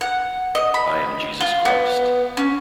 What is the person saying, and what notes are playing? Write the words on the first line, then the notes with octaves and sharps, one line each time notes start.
I am Jesus Christ.
F#5
D#5
B5
F4
B3
C#4